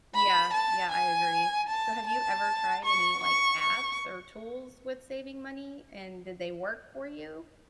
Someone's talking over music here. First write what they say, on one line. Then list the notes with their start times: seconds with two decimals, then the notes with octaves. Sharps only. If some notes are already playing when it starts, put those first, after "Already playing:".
Yeah, yeah, I agree, so have you ever tried any like apps or tools with saving money, and did they work for you?
0.15 B5
0.53 A5
0.92 G#5
1.69 A5
2.07 A5
2.85 C#6
3.23 C#6
3.61 C#6